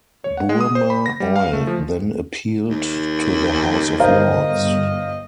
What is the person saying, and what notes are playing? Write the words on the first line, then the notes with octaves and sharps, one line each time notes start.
Burmah Oil then appealed to the House of Lords.
C#5
F#5
G#3
D#6
C5
B5
A#6
G3
F5
A3
F3
D#2
G1 A#4 C5 D#5 F5